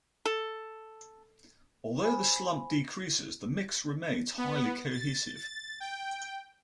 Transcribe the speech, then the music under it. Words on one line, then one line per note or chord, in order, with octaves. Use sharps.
Although the slump decreases, the mix remains highly cohesive.
A4
C5 G#5 B5
B3
A6
A6
G5